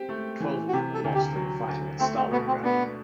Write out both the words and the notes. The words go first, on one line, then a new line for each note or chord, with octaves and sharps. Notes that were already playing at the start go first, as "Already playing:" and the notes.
Twelve of them were lost in the fighting at Stalingrad.
Already playing: C4 G4
A3
E3
F#4
C3 G4
A4
D2
G4
F#3
D2
A3 C4
C4
B2 B3
C4
B3 D4